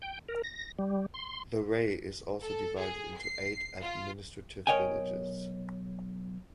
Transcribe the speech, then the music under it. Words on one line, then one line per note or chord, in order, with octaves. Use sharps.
Tha Rae is also divided into eight administrative villages.
G5
A#4
A#6
G3
C6
A4
G#4
C7
F4
B1 A#4 C#5 D#5 G5 G#5